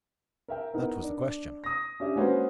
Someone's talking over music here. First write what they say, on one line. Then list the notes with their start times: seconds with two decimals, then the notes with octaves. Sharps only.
That was the question.
0.48 A#4 E5 G5
0.74 B3 D#4 A#4
1.03 D4
1.64 D#6 A#6
2.00 C#4 D4 G4 E5
2.16 G#3 A#3 C#4 F#4 B4 C5